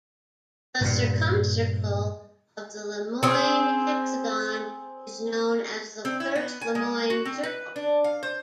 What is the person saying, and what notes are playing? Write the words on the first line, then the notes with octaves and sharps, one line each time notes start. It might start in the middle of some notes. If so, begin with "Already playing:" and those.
The circumcircle of the Lemoine hexagon is known as the first Lemoine circle.
G2 A#2
C4 G#4
C4
E4
B3
G#5
G#3
F#4
C4
B4
D4
F5
C5